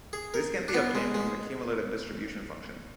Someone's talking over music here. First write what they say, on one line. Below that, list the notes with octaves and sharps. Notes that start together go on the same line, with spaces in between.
This can be obtained from the cumulative distribution function.
G#4
A#4
D4
B3
G#3
G#3